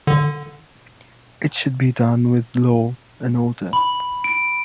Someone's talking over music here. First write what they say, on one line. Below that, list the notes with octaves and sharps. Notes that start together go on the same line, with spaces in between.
It should be done with law and order.
D3
B5
D7